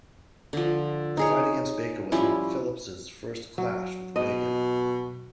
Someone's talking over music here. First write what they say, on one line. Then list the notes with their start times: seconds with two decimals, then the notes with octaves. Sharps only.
The fight against Baker was not Phillips' first clash with Reagan.
0.53 D3 F3
1.17 D#4 G#4 C#5
2.12 F3 G3 C#4 E4
3.58 F#3
4.16 B2 D#5